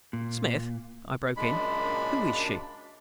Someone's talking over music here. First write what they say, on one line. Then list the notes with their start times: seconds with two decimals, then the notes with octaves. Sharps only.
"Smith," I broke in, "who is she?"
0.13 A#2
1.37 F#2 A#2 G#3 D4 B5